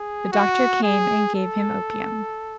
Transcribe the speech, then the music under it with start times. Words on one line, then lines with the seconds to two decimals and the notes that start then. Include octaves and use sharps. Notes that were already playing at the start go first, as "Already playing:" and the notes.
The doctor came and gave him opium.
Already playing: G#4
0.32 F#4
0.83 G#4
1.35 A4